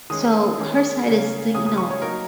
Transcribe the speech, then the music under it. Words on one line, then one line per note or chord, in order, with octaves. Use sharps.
So, her side is the, you know
D#3 G#3 C#4 D#6
D#3 G#3 C#4
C#3 A#3 C#4
C#3 A#3 C#4 D#6
D#6
C#6
C#5
F#3 A#3 D#4 A#4